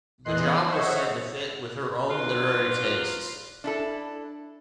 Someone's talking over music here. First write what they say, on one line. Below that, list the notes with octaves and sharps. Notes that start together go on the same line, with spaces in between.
The job was said to fit with her own literary tastes.
E2 E3 D#5 C6 F#6 C7
C5 C#5 D#5 E5 F#5 C#6
D#3 F#3 F4 B4 D5
D4 E4 A4